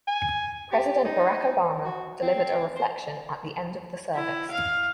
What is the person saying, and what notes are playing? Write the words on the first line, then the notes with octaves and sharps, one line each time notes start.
President Barack Obama delivered a reflection at the end of the service.
G#5
G4
D#4
F#4
C4
C5
E4
F5